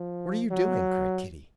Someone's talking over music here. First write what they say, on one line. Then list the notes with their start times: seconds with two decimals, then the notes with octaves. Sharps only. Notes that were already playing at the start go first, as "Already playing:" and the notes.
"What are you doing?" cried Kitty.
Already playing: F3
0.51 F#3